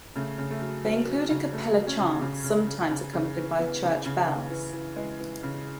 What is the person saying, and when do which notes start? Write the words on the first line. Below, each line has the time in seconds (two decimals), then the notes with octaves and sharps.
They include a cappella chants, sometimes accompanied by church bells.
0.16 C#3 A3
0.38 C#3
0.50 A3
0.61 F#3
0.84 F#3 B3
1.07 F#3
1.30 C#3
1.52 F#3 A3
1.77 F#3
1.87 C#4
1.98 C#3
2.21 C#3
2.44 C#3
2.67 C#3
2.90 C#3
3.13 C#3
3.36 E3
3.59 E3 B3
3.83 C#3
4.06 C#3
4.27 C#3
4.50 E3
4.73 E3
4.96 E3 G#3
5.20 E3
5.43 C#3